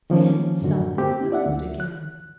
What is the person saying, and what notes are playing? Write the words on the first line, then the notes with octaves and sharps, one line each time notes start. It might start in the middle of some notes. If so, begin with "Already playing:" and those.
Then something moved again.
D#3 F3 A#3 C#4
F#2 A2 D3 F#4
A#3 C4 G4
D5 E5 F#5
D2
F#6